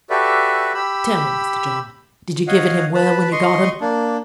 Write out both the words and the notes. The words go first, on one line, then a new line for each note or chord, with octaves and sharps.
Tell me, Mr. John, did you give it him well when you got him?
F#4 G4 A4 B4 D5 E5
G4 B5 E6
C#5 D#5 F5 F#5
B4 A5 B5
D#5 C6 C#6
A#3 D4